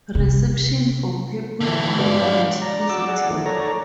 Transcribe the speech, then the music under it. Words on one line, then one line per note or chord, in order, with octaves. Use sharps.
Reception for "Purple Onion" was positive.
C3
D3 E3
G2 B2 G#3 D5
D4 C#5 F5
D5 A#5
F#4 D5 D6 E6
G#4 D5 F#5
D#3 F3 A3
A4 C#5 D5 A#5